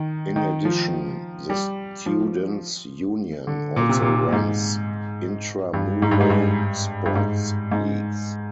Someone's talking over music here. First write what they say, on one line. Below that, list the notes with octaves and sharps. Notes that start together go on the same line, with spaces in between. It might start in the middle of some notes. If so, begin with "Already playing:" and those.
In addition, the Students' Union also runs intramural sports leagues.
Already playing: D#3
D#3
F3
G3
F3
D3
A#2
C3
A#2
A#2
G#2
G2
G#2
G2
G#2
G2
G2
G#2
G#2